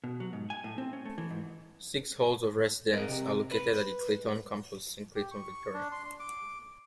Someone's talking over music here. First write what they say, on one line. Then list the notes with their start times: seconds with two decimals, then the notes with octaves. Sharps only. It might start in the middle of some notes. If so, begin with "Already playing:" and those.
Six halls of residence are located at the Clayton campus in Clayton, Victoria.
0.04 B2
0.20 F#3
0.33 G#2
0.50 G#5
0.64 A2
0.78 C4
0.93 C#4
1.05 A3
1.18 E3
1.31 G#2
2.93 G#4 A#4 D#5
3.09 C3
3.52 B4
5.15 G4
5.31 C#6
5.74 D4
5.92 C6
6.04 C6
6.19 D6